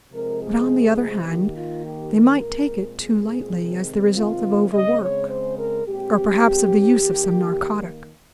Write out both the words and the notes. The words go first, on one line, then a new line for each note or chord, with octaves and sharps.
But on the other hand they might take it too lightly, as the result of overwork, or perhaps of the use of some narcotic.
C3 F3 G#3 C4 A#4
G#4
D#3 A#3 G4
F4
G4
A#4
A#2 G#3 C4
G#4
C3 D#3 G#3 C4
F4
C#3 G#3 C4 D#5
C#5
C5
A#4
A#2 G#3 C4 G4
D#3 A#3